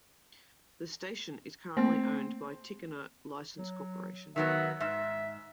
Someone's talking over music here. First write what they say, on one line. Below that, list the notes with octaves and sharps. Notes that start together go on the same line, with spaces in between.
The station is currently owned by Tichenor License Corporation.
A3 A#3 C4
F#3
D#3 F#3 B3 E5
G#2 E5